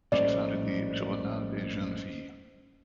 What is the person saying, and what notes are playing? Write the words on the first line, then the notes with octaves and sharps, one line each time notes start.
She founded the "Journal des jeunes filles".
A#1 A2 G3 C#4 C5 D5 D#5